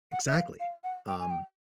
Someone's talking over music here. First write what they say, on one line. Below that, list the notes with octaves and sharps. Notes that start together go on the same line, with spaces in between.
Exactly. Um,
F#5
E5
F5
F5
F#5
G5
G#5
G5